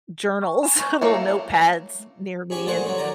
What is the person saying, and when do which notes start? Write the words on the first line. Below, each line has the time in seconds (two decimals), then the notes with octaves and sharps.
journals, little notepads near me and
0.42 C#6
0.63 G#5
0.80 C#6
1.01 F#3 A3 A#3
2.50 G#2 C#4 G4 C#6
2.66 A#2 D3 A3 G#4 C5 F#5
2.85 F#3 C#4
2.98 D#3 D5 A#5